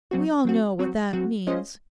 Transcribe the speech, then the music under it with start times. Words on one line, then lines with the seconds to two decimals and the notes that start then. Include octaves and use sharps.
We all know what that MEANS.'
0.11 F#3 C4 F#4
0.45 F#3 C4 F#4
0.79 F#3 C4 F#4
1.13 F#3 C4 F#4
1.47 G#3 C#4 F4 C5 D#5